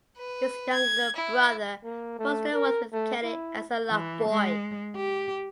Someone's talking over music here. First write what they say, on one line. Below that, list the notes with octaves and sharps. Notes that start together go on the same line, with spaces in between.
His younger brother, Buster, worked with Kelley as a lot boy.
B4
G#6
E4
A#3
A3
A#4
A3
E4
E3
G#3
G4